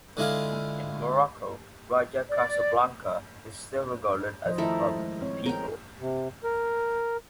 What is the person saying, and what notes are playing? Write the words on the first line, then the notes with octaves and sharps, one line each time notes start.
In Morocco, Raja Casablanca is still regarded as the club of the people.
D3 G#3 E4 F4
D5
F3 C5 D#5
D#3 A3 E4 A4 A#4 D#5
G#3
C4 C#5
G#4 A#4 G5
C3
A#4